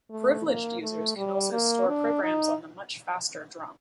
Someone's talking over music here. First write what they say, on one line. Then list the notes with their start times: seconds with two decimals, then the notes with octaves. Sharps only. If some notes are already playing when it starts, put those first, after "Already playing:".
Privileged users can also store programs on the much-faster drum.
0.10 A3
0.46 A#3
0.82 A3
1.16 G3
1.52 A#3
1.87 D4
2.23 D#4